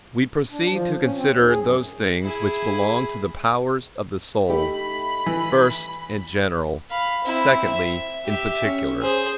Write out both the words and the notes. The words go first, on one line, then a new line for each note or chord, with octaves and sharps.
We proceed to consider those things which belong to the powers of the soul; first, in general, secondly, in particular.
D4
F3
C#4
C4
D#2
G#4
F#2
E4 G#4
A3 D#4 G4 B5
E3
F5 B5
C4 E4
E5
G4 E5
C#4
G#4 C5